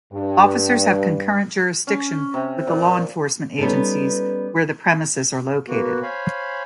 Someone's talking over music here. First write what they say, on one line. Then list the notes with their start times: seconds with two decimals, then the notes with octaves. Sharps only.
Officers have concurrent jurisdiction with the law enforcement agencies where the premises are located.
0.13 G2
1.87 C#4
2.34 C3
2.67 A#2
3.58 G3 B3 C#4 D#4 A4
5.68 A#3 B3 F#4
6.03 C5 C#5 F5 G#5 B5